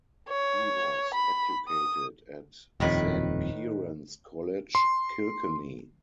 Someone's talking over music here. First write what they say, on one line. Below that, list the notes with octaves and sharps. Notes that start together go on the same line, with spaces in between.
He was educated at Saint Kieran's College, Kilkenny.
C#5
B5
D#6
D#1 F2 A2 D#3 B4
C6